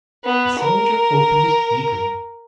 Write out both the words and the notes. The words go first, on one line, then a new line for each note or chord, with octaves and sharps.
The soldier opened it eagerly.
B3
A#4